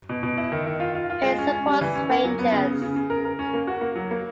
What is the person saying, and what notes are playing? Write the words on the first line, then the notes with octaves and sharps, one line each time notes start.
Payne supports Rangers.
B2
B2
E4
D#3
D#3
F4
F4
F4
G#3
C#4
C#4
G3
E3
C#4
A#3
F#3
B3
C#3
C#3
C#3
C#3
A#4
A#4
C#4
A#3
F#4
A#3
F#3
A#3